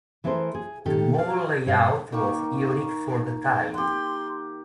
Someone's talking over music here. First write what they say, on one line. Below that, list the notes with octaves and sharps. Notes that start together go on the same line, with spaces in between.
The mall layout was unique for the time.
E3 A3 G#4 A#4 C5
G#4
D#3 G4 A4
D5 F5
G2 C#5 D#5 F5
D#3 A#3 C#6
G4 F#5 C6